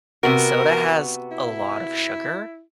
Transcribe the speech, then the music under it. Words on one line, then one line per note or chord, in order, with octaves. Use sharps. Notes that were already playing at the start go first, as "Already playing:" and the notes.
and soda has a lot of sugar.
C3 B3 F#4 A#4
E4